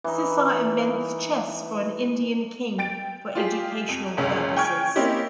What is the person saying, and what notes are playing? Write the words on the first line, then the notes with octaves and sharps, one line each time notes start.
Sissa invents chess for an Indian king for educational purposes.
E3 D#4
G5 A6 D7
F4 G4 G#4
F2
F#1 C#2 C#4 E6
G5 G#5 C#6 F6 G#6
A#3 C4 C#4 D#4 E4 G4